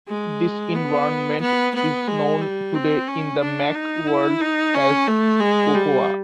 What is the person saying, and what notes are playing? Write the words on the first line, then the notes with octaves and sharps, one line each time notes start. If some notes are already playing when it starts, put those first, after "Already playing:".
This environment is known today in the Mac world as Cocoa.
G#3
B3
B3
B3
G#3
G3
C4
C#4
D4
D#4
E4
D#4
C#4
A3
G#3
G3